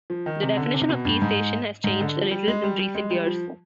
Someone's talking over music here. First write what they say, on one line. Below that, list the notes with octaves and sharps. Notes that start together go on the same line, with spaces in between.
The definition of key station has changed a little in recent years.
F3
D#3
C3
D3
C3
B2
G2
G#2
G#2
D3
F3
G3
G#3
G3
G3
G#3
G3
F3